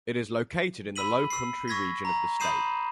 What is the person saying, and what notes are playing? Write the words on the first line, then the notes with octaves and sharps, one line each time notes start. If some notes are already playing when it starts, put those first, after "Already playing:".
It is located in the Lowcountry region of the state.
B5 E6 B6 D#7 F#7
E6 C7
C#6 E6 G#6 A#6 B6
A#5
B5 D#6 G6 C7 D#7 E7